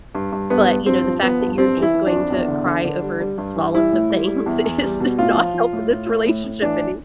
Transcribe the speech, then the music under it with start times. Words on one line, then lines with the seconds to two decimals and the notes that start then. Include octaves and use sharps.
But, you know, the fact that you're just going to cry over the smallest of things is not helping this relationship any"
0.15 G2
0.32 G2
0.50 G2 B3
0.69 G3
0.86 G2 C4
1.05 F3
1.22 F3 B3
1.41 G2
1.58 G3 C4
1.77 E3
1.82 E4
1.94 E3
2.06 D4
2.12 F2
2.30 E2
2.48 D3
2.66 D3
2.85 D3
3.02 G3
3.20 G3
3.38 G2
3.56 E3
3.74 G3 E4
3.92 A2
4.10 G3
4.28 G3
4.46 E2
4.65 E2
4.83 G3
5.00 B2
5.19 A2 F4
5.36 F3
5.54 F3
5.73 A2
5.90 A2
6.09 A2
6.26 A2
6.44 A2
6.62 E3 D4